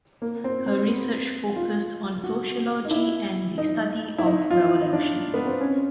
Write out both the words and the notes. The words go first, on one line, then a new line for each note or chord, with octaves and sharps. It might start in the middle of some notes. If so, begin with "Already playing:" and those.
Her research focused on sociology and the study of revolution.
A#3
C4
C4
B3
F4
F#4
D#4
E4
D#4
E4
D#4
F4
E4
D#4
D4
B3
C4
C#4